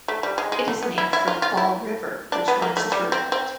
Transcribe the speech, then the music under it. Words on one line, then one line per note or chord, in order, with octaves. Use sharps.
It is named for Fall River which runs through it.
A3
G3
G#3
G#3
A3
B3
E4
E4
F4
F4
E4
D4
B3
A#3
A3
G3
C4
C4